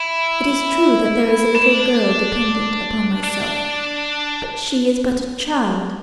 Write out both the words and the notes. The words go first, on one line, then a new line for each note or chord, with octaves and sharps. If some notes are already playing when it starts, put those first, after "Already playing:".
It is true that there is a little girl dependent upon myself, but she is but a child.
Already playing: E4
D4
D4